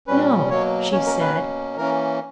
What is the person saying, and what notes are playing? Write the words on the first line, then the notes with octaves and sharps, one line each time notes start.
"No," she said.
A#2 G3 C#4 B4
B2 F#3 A#3 C#5
B2 A#3 C#4 C#5
A#4
B4
B2 A#3 C#4
E3 A#3 C#4 A#4